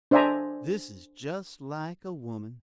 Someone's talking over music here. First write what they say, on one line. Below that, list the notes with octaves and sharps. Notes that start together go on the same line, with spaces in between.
This is just like a woman.
D4 C5 D5 E5 G#5 A#5